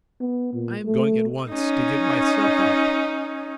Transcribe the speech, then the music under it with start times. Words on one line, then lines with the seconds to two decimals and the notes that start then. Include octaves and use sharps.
I am going at once to give myself up.
0.21 B3
0.53 A#2
0.86 A3
1.52 C#4 D#4